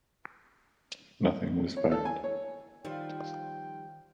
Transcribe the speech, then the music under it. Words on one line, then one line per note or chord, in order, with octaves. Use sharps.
Nothing was found.
C#5
A4
G#5
C#5
D#3 F3 G3 D#4 G5